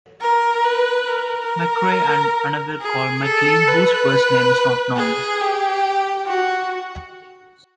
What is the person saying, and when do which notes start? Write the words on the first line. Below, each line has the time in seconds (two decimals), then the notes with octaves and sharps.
McRae, and another called MacLean, whose first name is not known.
0.21 A#4
0.64 B4
1.07 A#4
2.81 G#4
3.24 A4
3.68 B4
4.97 G#4
5.41 G4
6.26 F#4